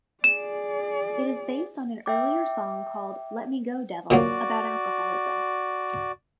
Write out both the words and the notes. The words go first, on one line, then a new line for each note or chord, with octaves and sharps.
It is based on an earlier song called "Let Me Go, Devil", about alcoholism.
G#4 D5 E7
E5 G5 D6
A#2 F#3 A#3 F#4 D5